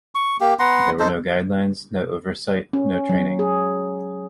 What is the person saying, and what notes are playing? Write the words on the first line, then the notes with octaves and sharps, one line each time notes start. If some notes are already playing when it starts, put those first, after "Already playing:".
There were no guidelines, no oversight, no training.
C#6
A#3 G4
B3 F#5 A#5 C6
D#4 A4 C5
C#4
F#3
G#4